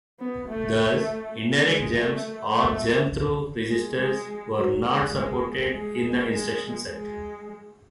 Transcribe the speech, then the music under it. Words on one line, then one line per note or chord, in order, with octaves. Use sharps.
Thus, indirect jumps, or jumps through registers, were not supported in the instruction set.
B3
A3
G#3
A3
A3
G#3
G#3
F#3
G#3
G#3
G#3
G#3
G#3